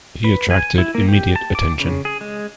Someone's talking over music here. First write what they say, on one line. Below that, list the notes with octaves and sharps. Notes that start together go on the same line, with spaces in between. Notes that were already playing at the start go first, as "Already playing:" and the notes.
He attracted immediate attention.
B4
G#5
E4
A#3
G4
A5
D6
C#3
G#4
G#3